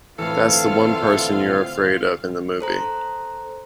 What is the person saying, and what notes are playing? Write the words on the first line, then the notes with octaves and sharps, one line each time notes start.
That's the one person you're afraid of in the movie.
A2 D3 E3 A3 C4 F4 A4 F5
A4 C5 A#5